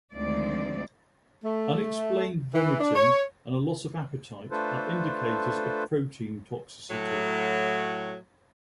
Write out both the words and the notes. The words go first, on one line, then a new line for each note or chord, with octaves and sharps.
Unexplained vomiting and a loss of appetite are indicators of protein toxicity.
D2 D#3 F3 G#3 C4 D5
A3
E3
D4
C#5
A3 D4 F4 A4 B4 C5
A2 F#3